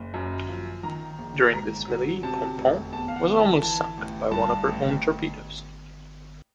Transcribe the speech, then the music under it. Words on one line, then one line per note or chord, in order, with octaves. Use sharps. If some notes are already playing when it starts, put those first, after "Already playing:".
During this melee "Pompon" was almost sunk by one of her own torpedoes.
Already playing: F#1
F#2
F3
D#3 A#5
A#1
G#2 A#5
F#3
C3 A5
F1
E2 A5
F5
F#5
E3
A5
E3 A5
A1
G2 A5
A1